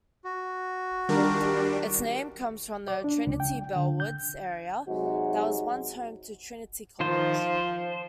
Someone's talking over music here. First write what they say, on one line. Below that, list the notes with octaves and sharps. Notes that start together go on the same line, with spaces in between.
Its name comes from the Trinity-Bellwoods area that was once home to Trinity College.
F#4
D#3 G3 D4 F4 A#4
D5
D4
C#2
G5
D3
G6
C3 F#3 G#3 D#4 F#4
D#3 F3 F4 C5
C5